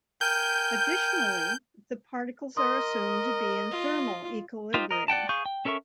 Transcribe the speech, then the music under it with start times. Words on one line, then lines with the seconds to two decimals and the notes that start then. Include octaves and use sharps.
Additionally, the particles are assumed to be in thermal equilibrium.
0.21 A#4 G5 G#5 G6
2.57 A#4 D#5 C6 D#6
3.71 F4
4.74 D#4 F4 G4 C5
4.91 A#4 D#5
5.08 D5 F#5 G5 A5
5.29 G#4 F5 C#6 G6
5.46 G5
5.65 C#4 A4 A#4 E5 C#6